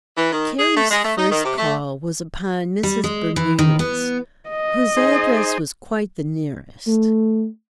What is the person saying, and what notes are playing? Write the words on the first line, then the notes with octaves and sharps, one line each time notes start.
Carrie's first call was upon Mrs. Bermudez, whose address was quite the nearest.
E3
D#3
G#4
A3
G#3
A3
D#4
D#3
C3
A3
G3
G#3
E3
D#3
B3
D#5
D#4 G#4 C5
A3